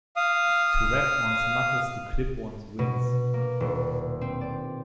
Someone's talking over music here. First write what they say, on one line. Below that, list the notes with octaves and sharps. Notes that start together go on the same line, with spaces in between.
To rap one's knuckles to clip one's wings.
F5 D#6
B2
A#3
D#1
C4
D5